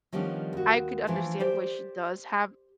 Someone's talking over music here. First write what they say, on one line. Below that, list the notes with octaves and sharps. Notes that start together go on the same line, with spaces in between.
I could understand why she does have
D#3 F3 G3 B3 C#4 D4
D#2 F#4
E3 F3 A3 D4 F4
G4 C5 D5